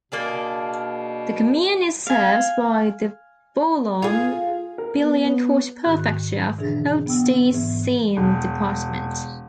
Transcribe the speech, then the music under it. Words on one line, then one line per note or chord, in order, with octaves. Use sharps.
The commune is served by the Boulogne-Billancourt prefecture, of the Hauts-de-Seine department.
B2 A#3 D4 G#4
F5 G#5
F4 G#4
A#4
B3
B3
G#2 D#3 F#4 F#6
B2 D3 E3 D4 G#4
B3 G5 E6
G#2 E3
E1